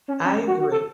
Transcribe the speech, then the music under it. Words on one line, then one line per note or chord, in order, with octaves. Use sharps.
I agree.
C#4
C#4
F#4
F#4
A4